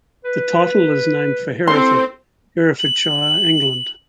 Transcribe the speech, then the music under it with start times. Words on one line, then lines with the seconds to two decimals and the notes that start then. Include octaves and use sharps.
The title is named for Hereford, Herefordshire, England.
0.25 B4
1.67 C4 A4 C5 C6
2.79 F#7